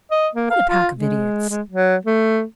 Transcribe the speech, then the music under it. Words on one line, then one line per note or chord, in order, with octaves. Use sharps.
What a pack of idiots!
D#5
A#3
F5
F4
G#3
G#3
F#3
A3